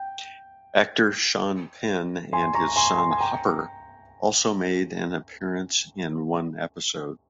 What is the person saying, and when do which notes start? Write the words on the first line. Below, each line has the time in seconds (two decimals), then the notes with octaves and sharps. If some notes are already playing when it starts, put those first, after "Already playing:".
Actor Sean Penn and his son Hopper also made an appearance in one episode.
Already playing: G5
2.33 G#5 C6
2.55 A#5 C#6
2.76 G#5 C6
2.98 G#5 C6
3.11 G#5
3.20 G5 A#5